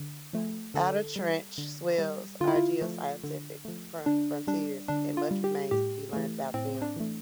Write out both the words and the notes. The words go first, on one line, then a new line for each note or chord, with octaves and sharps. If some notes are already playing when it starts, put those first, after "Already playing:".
Outer trench swells are geoscientific frontiers and much remains to be learned about them.
Already playing: D3
F3 A3
D3 A4
G3
D3
G3
D3 F4
E4
F4
F3 A3
D3
F3 A3
D3 D4
G3 D4
D3 D4
F4
G3
G4
A2 G4
E3 A3
A2 C4
D4
E3 A3